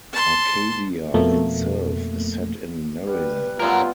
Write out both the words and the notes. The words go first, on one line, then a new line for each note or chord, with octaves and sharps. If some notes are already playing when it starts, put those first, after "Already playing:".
Arcadia itself is set in Maryland.
A5 C6
F2 B2 A3 A#3
G3 B4
G3 A3 B3 C#4 F4 A#4